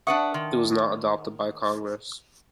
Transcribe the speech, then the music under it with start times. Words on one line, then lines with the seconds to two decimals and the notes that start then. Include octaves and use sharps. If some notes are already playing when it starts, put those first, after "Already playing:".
It was not adopted by Congress.
0.07 D4 B4 E5 F#5 C#6 D#6
0.34 D#3 A5 C6 F6